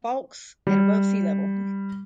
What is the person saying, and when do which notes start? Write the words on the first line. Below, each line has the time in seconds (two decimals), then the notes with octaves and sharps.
Fowlkes at above sea level.
0.67 G3